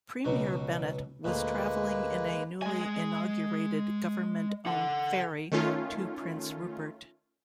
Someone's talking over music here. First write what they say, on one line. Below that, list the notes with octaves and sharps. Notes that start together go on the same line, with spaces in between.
Premier Bennett was travelling in a newly inaugurated government-owned ferry to Prince Rupert.
C#2 B2 F#3
D2 A#2 G#3 A#3 B4
G#3 G#5
A4 F#5
D#3 A3 C#4 F4